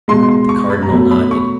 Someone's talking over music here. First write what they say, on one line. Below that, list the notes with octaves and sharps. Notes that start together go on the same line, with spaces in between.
The Cardinal nodded.
B2 G#3 C6
C6
C#6
B5
A#5
B2 F#3 A3 B5
B5
C#6